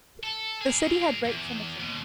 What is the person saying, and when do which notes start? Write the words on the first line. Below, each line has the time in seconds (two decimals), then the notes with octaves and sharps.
The city had great symmetry.
0.23 A4
0.61 G#4 A#4
1.24 E2
1.79 D#2 B2